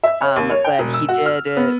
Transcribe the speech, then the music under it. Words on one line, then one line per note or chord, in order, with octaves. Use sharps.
um, but he did, uh,
E5
C#5
D#2
C#5
G5
E1
E6
F#4
F6
B3